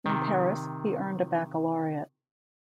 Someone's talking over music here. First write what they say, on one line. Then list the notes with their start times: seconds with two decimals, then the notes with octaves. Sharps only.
In Paris, he earned a baccalaureate.
0.06 C3 D#3